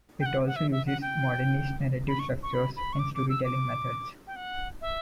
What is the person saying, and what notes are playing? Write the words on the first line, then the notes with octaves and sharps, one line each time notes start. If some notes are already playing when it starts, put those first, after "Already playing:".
It also uses modernist narrative structures and storytelling methods.
G5
F#5
F#5
E5
E5
F#5
G5
B5
C#6
C#6
B5
B5
C#6
D6
D6
E6
D6
G5
F#5
E5